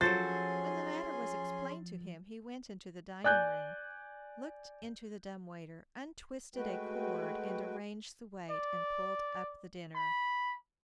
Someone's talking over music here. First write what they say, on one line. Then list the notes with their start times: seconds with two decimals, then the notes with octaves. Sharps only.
When the matter was explained to him, he went into the dining-room, looked into the dumb-waiter, untwisted a cord, and arranged the weight, and pulled up the dinner.
0.01 F3 F#3 C#4 G#4 A4 C5 C6 A6
3.24 D5 G#5 F#6 G6
6.55 G#3 A3 F#4 B4 G5
8.50 D5
9.95 B5